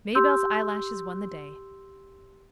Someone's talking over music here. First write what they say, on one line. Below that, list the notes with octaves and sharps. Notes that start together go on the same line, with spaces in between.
Maybelle's eyelashes won the day.
G4 C6 E6 G6